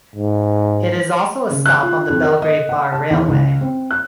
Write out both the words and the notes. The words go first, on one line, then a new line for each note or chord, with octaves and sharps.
It is also a stop on the Belgrade - Bar railway.
G#2
C#3
F#6
F4
F2
A#4
D#5
F#5
A5
E2
C#2
C4
F#6